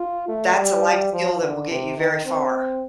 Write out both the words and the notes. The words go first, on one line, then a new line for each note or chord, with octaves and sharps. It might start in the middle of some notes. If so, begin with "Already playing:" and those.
that's a life skill that will get you very far.
Already playing: F4
A3
G3
F3
D3
C3
D#3
C4